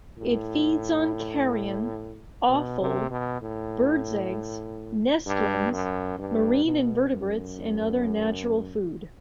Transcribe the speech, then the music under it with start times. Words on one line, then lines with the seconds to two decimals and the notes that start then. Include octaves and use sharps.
It feeds on carrion, offal, bird eggs, nestlings, marine invertebrates and other natural food.
0.18 A2
2.49 B2
2.80 C3
3.10 B2
3.42 A2
5.26 G2
5.72 F#2
6.19 G2
6.64 B2
7.11 F#2